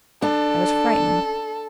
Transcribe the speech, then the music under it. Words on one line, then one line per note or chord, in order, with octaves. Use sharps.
I was frightened.
D4 A4